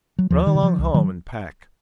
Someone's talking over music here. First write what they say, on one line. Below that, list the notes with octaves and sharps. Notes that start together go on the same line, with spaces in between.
Run along home and pack.
F#3
D#2 F3
D#3
C#3
F3
C2
D#3 F#3